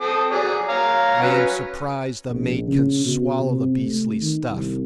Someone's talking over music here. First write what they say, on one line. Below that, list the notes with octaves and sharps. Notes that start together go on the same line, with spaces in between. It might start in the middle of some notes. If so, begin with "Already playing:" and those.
I am surprised the mate can swallow the beastly stuff.
C4 A4 D#6
F#3 G#4 D5
C#5 F5 A#5
F#3 C#4 B4
A#1
C#3
B2
C3
A3
D#3
C2